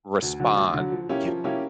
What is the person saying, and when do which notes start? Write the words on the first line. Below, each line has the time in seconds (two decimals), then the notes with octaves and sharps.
respond yeah
0.22 D2
0.40 D3 F#3
0.56 D2
0.74 D3 F#3
0.92 F3
1.09 A#3 C#4 E4 G4
1.27 F3
1.44 A#3 C#4 E4 G4